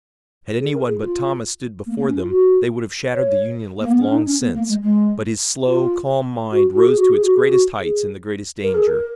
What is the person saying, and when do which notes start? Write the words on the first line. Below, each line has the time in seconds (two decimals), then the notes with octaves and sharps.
Had anyone but Thomas stood before them they would have shattered the Union left long since, but his slow, calm mind rose to its greatest heights in the greatest danger.
0.60 G#4
0.73 A#4
0.87 G#4
1.02 F4
1.86 A#3
1.97 A#3
2.07 C#4
2.18 F4
2.28 F#4
3.13 C#5
3.80 A#3
3.90 B3
4.01 C#4
4.12 D#4
4.25 C#4
4.40 B3
4.54 A#3
4.68 G#3
4.82 G#3
5.67 F4
6.51 F#4
6.72 F#4
6.85 G#4
6.97 F#4
7.10 G#4
7.23 F#4
7.35 G#4
7.48 F#4
7.78 G#4
8.63 A#4
8.74 G#4
8.86 A#4